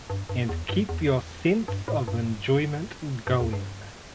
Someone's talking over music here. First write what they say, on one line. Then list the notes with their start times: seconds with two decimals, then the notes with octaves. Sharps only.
And keep your sense of enjoyment going.
0.10 G2
0.29 G2
0.49 E2
0.69 G2
0.89 E2
1.68 G2
1.88 A2
2.08 G2
3.27 G2
3.40 E2
3.53 G2